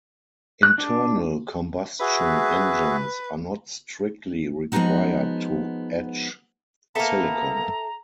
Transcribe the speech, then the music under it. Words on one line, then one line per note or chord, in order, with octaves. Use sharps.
Internal combustion engines are not strictly required to etch silicon.
F#6
D4
F#4 G#4 B4 E5
F3 G#3 B3 C#4 D#4 F#4
A#3 B3 A4 E5 A5 A#5